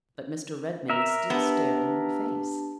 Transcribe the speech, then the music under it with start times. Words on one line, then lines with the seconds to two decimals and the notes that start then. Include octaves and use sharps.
But Mr. Redmain still stared in her face.
0.90 A#4 E5
1.30 B3 D4 G4 A5